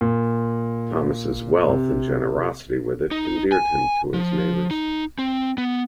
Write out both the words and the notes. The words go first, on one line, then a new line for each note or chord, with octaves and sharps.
Thomas's wealth and generosity with it endeared him to his neighbors.
A#2
C3
D#4
G#5
F3
D#4
C4
B3